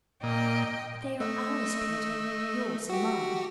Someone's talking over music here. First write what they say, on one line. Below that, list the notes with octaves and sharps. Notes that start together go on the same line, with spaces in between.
'But they are ours, Peter, yours and mine.'
A#2 D#5 G5
A3 D#5 E6
F#4 G4